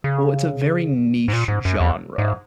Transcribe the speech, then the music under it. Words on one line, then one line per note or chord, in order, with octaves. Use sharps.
Oh, it's a very niche genre,
C#3
G#2
A#2
G#2
F#2
E2
G#2